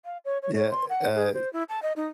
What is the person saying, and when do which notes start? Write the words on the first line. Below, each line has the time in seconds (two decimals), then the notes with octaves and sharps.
Yeah, uh uh
0.05 F5
0.25 C#5
0.42 C#5
0.55 C#5
0.71 C6
0.90 F#5
1.15 G#4
1.34 C5
1.53 E4
1.69 A5
1.83 D#5
1.96 D#4